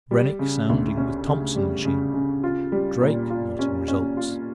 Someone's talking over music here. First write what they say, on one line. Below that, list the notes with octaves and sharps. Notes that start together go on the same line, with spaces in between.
Rennick sounding with Thomson machine. Drake noting results.
G3
C#3
D2
C#4
C#3
G3
C#3
C#3
F4
G3
A#2
F4
C#4
C#4
F4